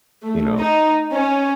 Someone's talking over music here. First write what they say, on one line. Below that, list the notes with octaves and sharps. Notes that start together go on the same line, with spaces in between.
you know,
A3
D#4
C#4